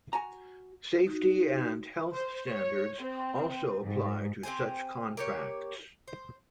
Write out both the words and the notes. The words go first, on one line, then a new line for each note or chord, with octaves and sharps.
Safety and health standards also apply to such contracts.
F#4 G#5 A#5
D#4 F#4
C5
C#5
C4
G#2
C4 G4 C5 G#5
A#3 G4 C#5
C5